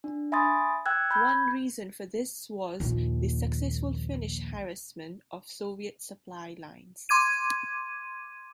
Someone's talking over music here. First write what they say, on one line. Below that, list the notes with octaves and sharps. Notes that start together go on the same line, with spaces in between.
One reason for this was the successful Finnish harassment of Soviet supply lines.
D4
E5 G#5 B5 C6 D#6 A6
G5 E6 F#6 G#6
B5 G6 G#6
A#1 D#2
C6 D6 G#6 D#7